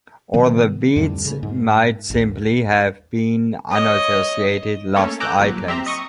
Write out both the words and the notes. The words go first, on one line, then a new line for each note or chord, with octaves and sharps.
Or the beads might simply have been unassociated lost items.
C3 D#3 F#3 B3
F2 A2 D3 G3
C#3
G#2
A1 D#2
C#5 D#5
A3 A#3 C#4 A4 C#5
G#5 A#5 D6 E6 F#6 G6
G1 A#2 F#3
C4 G4 E5 A#5
D#5 C#6 D#6